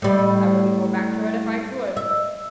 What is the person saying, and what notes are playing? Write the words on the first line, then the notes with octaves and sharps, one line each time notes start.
I wouldn't go back to it if I could.
A2 G3
E5